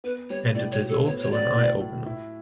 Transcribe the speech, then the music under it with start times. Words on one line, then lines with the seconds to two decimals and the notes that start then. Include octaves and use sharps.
And it is also an eye opener.
0.04 B3 B4
0.29 G3 C#5
0.54 A2 D5
0.71 C#5
0.80 F#4
0.88 A4
1.05 B3 C#5
1.21 C#5
1.30 F#3 D5
1.55 A2
1.80 A2
2.06 E4